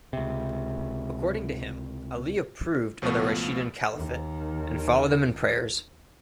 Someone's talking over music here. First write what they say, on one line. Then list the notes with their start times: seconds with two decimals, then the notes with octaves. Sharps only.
According to him Ali approved of the Rashidun Caliphate and followed them in prayers.
0.13 C#2 C3
3.02 C#2 B2 F3 A3 B3 C#6
3.94 D#2 D#3